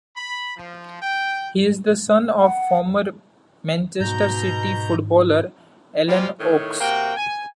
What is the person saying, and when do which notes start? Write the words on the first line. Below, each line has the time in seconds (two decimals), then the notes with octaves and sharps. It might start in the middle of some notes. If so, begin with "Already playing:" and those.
He is the son of former Manchester City footballer Alan Oakes.
0.16 B5
0.57 F3
1.02 G5
2.40 F#5
4.00 G#2 B2 A#5 G6
6.08 F3 G3 G#3 F4 G4
6.40 A2 D#3 C#5
6.80 C3 A#3 F#4 G5
7.16 G#5